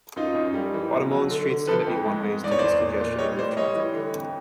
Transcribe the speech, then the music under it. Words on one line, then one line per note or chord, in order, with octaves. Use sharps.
Guatemalan streets tend to be one-ways to ease congestion and move traffic.
F#2 D#4 F4
F#2
G3
E3
B2
F#3
D3
D3
F3 A4 B4
F2
G#2
G#2
E2 D5
C#5
E2 C5 D5
A#2
A#2
G3 C#5 D#5
A2 C5 D5
G3 C#5 D#5
E3
D3
F2